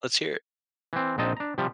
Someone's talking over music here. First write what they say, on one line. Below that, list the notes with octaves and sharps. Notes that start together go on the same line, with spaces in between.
Let's hear it.
E3 C4
A#1 C4 D#4 D#5 A5
D4 A#5
C3 F3 G3